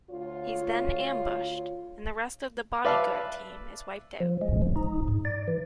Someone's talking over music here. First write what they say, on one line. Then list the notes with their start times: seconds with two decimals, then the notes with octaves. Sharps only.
He's then ambushed, and the rest of the bodyguard team is wiped out.
0.10 D2 F4 C#5
2.85 B4 D5 E5 F5 A5
4.20 F3
4.41 G#3
4.62 F3
4.76 D#4
5.08 G#2
5.25 D5
5.48 E3